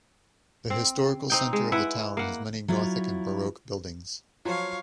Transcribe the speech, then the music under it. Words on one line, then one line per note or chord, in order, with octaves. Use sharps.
The historical centre of the town has many gothic and baroque buildings.
C4
C4 D#4 G5
G#3
E4 B4 F#5
A#3 F#5
F#3 E4 F4
F3 F#3 C#5 F5